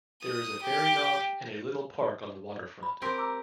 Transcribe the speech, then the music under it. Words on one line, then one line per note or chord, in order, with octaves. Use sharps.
There is a ferry dock and a little park on the waterfront.
D#6
G4
B5
C4 G4 A#4 F#5 C6
A#5 D6 E6